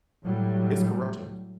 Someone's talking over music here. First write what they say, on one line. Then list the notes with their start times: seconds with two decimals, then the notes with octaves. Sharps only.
it's corruption.
0.24 A2 F#3 G3